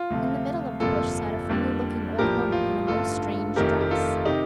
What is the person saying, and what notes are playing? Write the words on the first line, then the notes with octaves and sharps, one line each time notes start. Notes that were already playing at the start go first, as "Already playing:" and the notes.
In the middle of the bush sat a friendly-looking old woman in a most strange dress.
Already playing: F4
D2 C3 F3 A3
G1 F2 C3 F3 A#3 F4 A4
F2 D3 G3 A#3
A#1 A2 F3 A#3 G4 A#4
F4
A1 G2 D3 A3 F4 A4
F1 F2 D#3 A3 G4 A#4
G4
F4 A4
C3 D#3 D#4 G4